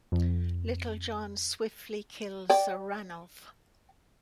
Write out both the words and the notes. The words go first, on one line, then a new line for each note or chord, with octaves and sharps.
Little John swiftly kills Sir Ranulf.
F2
D5 G5